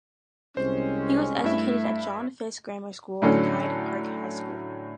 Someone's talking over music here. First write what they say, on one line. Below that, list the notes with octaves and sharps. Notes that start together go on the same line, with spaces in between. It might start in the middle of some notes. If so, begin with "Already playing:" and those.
He was educated at John Fiske Grammar School and Hyde Park High School.
C2 G#3 C4 C#4 C5
G2 A3 E4 E5
A2 D3 F#3 C#4 A4